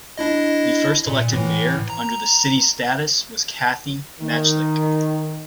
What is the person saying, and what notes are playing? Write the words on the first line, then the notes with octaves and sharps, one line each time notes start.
The first elected Mayor under the 'City status was Kathy Majdlik.
D4 E4 D#5
A#2
A2 E3
A#5
D#3